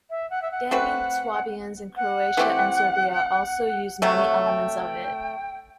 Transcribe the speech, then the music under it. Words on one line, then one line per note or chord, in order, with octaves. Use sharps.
Danube Swabians in Croatia and Serbia also use many elements of it.
E5
F#5
E5
F#5
A3 C4 F#4 B4 F#5
F#5
E3 A3 C4 G4
C3 F#3 A3 F#5
A5
G5